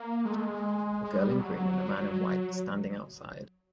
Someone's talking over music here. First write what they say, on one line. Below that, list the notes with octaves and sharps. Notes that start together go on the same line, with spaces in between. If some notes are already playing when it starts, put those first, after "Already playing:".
A girl in green and a man in white are standing outside.
Already playing: A#3
G#3
A3
G#3
G#3
G3
F#3